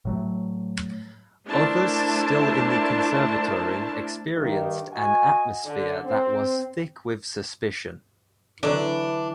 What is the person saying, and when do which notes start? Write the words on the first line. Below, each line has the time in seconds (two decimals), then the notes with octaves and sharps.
Others still in the Conservatory experienced an atmosphere that was thick with suspicion.
0.05 A2 F#3 A3
1.47 A3 D4 E4 A#4 C5 A5
4.36 G2 D#3
4.92 F#4 D#5 G#5
5.65 D3
6.05 C4
8.63 D3 E3 F#3 D4